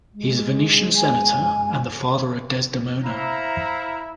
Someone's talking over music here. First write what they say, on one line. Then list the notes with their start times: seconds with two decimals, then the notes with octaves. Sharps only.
He is a Venetian senator and the father of Desdemona.
0.14 G#3
0.97 G#5
3.03 E4 C5 F5 A#5